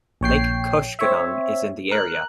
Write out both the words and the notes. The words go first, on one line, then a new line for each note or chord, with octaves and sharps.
Lake Koshkonong is in the area.
A#1 C#5 G5 C7
C4 C#5 E5
A#4 F#6